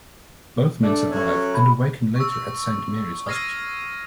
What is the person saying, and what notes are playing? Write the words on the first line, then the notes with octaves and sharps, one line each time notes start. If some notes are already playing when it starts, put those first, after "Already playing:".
Both men survive and awaken later at Saint Mary's hospital.
A3 D4
F#3 A3 C#4
B5
C#6 E6
D#6 F6 G#6 A#6 C7 D#7